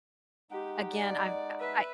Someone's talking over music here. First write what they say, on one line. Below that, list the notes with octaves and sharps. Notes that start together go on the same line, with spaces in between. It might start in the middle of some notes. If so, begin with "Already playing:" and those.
again I've I I
G#3 D#4 G4 F#5
D5
B4 E5